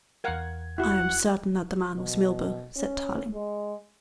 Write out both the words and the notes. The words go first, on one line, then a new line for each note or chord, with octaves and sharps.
"I am certain that the man was Milburgh," said Tarling.
E2 A#4 F5 F#5 G#6
E4 F#4 F#5
B2
C#4
G#3